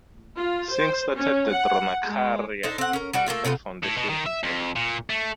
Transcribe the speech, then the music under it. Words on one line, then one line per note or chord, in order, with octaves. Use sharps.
Singh started the Dronacharya Cricket Foundation in Delhi.
F4
C5
C#4
F#5
G#3
D4 D#4 A4 C5
C4 F#5
C#4 A#4
G3 F#4 D5
A3 A#3 F4 E5
C3 A3 B3 F4
A2
B2
D#3
E5
F2
A#2
A3